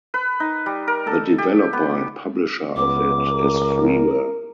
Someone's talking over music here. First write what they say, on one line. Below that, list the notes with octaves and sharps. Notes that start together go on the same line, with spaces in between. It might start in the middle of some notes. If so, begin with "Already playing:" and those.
The developer and publisher of it is freeware.
B4
D#4
G3
A#4
A4
G4
B3
C#2 B3 D6
A#4